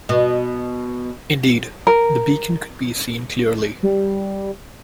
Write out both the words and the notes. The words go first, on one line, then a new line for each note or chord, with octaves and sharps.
Indeed, the beacon could be seen clearly.
B2
A#4
G3